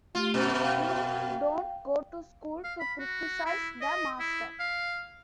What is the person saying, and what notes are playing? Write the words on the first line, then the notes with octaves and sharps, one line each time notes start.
You don’t go to school to criticize the master.
A3 F4 G4
F#2 B2 C#4
F5 G5
F5
B5
F#4
E4
D#5
E4
F5